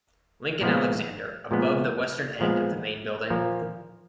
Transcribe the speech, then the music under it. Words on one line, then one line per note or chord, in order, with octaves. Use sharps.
Lincoln Alexander, above the western end of the main building.
A#2 F3 G#3 B3
A#2 F3 G#3 B3
A#2 F3 G#3 B3
A#2 F3 A#3